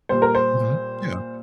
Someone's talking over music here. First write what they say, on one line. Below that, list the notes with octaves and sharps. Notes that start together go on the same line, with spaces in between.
Mhm, yeah.
A#2 G3 C5
A#4
C5